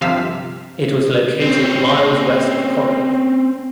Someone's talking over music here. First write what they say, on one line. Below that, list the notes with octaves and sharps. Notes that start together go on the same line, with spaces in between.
It was located miles west of Corinth.
G1 C3 F3 F5 E6 B6
C4 C#4